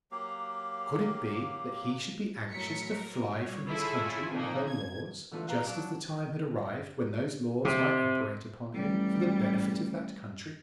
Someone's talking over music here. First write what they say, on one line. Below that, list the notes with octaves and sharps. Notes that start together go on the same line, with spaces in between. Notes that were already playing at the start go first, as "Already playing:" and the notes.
Could it be that he should be anxious to fly from his country and her laws, just as the time had arrived when those laws might operate upon him for the benefit of that country?
F#3 A#3 G4 F5
A2 F#3 A3 A#4 B6 C#7
A#4
G3 C#5
E4 F4 G#4 A4 C#5 G#5
F2 A#2 F3 A#3 D#4
G#6
D3 E3 A3 A#3 F4
B4 F5 A#5
F#3 D4
C3
A1 G3